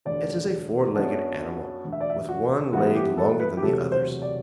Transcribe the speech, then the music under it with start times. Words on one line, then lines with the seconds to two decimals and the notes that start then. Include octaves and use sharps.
It is a four-legged animal, with one leg longer than the others.
0.05 E1 D2 D3 D5
0.94 F#2 F#3 B3 D4
1.84 E1 D2 D3
1.92 E5
2.01 D5
2.10 E5
2.29 F#4
2.73 G2 E3 B3 F#4
2.95 G4
3.17 A4
3.40 B4
3.57 G4
3.62 E1 D2 C3 F#3 A4
3.92 C5
4.22 D5